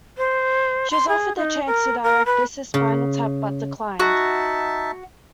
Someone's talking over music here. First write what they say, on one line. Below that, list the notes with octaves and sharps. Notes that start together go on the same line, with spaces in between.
She was offered the chance to direct "This is Spinal Tap", but declined.
C5
C6
G#4
D#4
A#4
A#4
B4
C#3
D#4 F#4 E5 A5